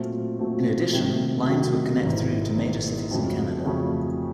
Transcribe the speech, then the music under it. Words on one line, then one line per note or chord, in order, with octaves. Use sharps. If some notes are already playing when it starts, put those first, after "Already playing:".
In addition, lines would connect through to major cities in Canada.
Already playing: A#2 F#3 A3 C4
A#2 F#3 A3 C4
C3 D#3 F#3 A3
C3 D#3 F#3 A3
G#1 G#2 E3
G#1 G#2 E3
F2 C#3 F#3 A3 C#4
F2 C#3 F#3 A3 C#4